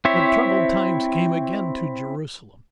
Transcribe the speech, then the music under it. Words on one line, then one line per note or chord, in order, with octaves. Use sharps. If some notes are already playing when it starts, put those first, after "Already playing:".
But troubled times came again to Jerusalem.
C4 E4 C5 C#5 E5